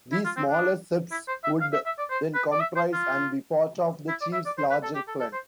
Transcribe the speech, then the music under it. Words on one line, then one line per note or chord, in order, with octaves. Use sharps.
These smaller septs would then comprise, and be part of, the chief's larger clan.
E4
F4
C4
D4
E4
C5
E5
F5
E5
E5
D5
C5
B4
D5
E5
C5
F4
E4
D5
E5
D5
C5
B4
A4
G4
A4
A4
C5